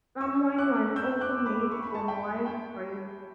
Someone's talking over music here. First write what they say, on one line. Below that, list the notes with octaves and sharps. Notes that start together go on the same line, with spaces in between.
Some wine was also made from wild grapes.
C#6 E6
D6 F#6
E6 G6
D6 F#6
B5 D6
C#6
B5
A5 C#6
G5 B5
G5